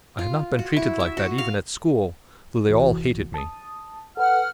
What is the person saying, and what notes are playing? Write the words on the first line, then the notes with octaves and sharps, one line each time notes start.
I had not been treated like that even at school, though they all hated me.
F4
F#4
E4
E5
F#4
F5
C2 E3 F#4
A5 D#6
A4 B4 F#5 F6